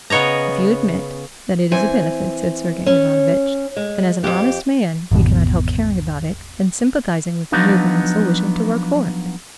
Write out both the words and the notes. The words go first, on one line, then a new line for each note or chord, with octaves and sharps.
"If you admit that it is a benefit," said Sergey Ivanovitch, "then, as an honest man, you cannot help caring about it and sympathizing with the movement, and so wishing to work for it."
C#3 B3 C#5 D#5 A#5
E3 C4 G#5
C#4
G#3
F2 G4
G#1 E2 B2
F3 F#3 B3 D4 D#4